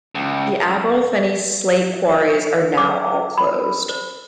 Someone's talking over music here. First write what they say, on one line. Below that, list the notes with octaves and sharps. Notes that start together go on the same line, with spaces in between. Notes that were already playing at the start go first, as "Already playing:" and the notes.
The Aberllefenni slate quarries are now all closed.
C#2
D6
B5
C5